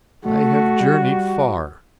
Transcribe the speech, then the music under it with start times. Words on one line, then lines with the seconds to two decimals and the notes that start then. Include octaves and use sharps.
I have journeyed far.
0.25 A3 F#4
0.80 G3